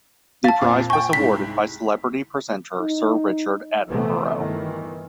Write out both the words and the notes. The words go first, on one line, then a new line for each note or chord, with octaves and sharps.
The prize was awarded by celebrity presenter Sir Richard Attenborough.
F5 A5 A6
F2 A#2
G5 G#5 C#6
C2 G#2 B6
D#4
C3 E3 F#3 A3 B3
G1 D#3 E3